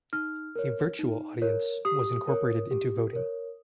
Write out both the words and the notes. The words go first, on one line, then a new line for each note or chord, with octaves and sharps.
A "virtual audience" was incorporated into voting.
D#4 F6
A#4 C#5
D#4
A#4 C#5
G4 D#6
A#4 C#5
G4
A#4 C#5